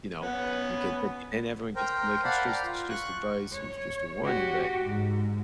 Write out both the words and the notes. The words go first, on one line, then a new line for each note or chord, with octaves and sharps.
you know, uh, you get and everyone gets to be, like, "It's just it's just advice, it was just a warning," but,
B3 C#4 B4
A#4 C5 G5 A#5
D5 F5 F#5 A5 B5
F5 G5 A#5
F4
C#6 F#6
C#5
F#4 G4
G#2